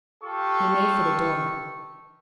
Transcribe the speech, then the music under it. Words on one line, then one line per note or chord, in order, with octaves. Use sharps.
He made for the door.
F4 G4 A4 C#6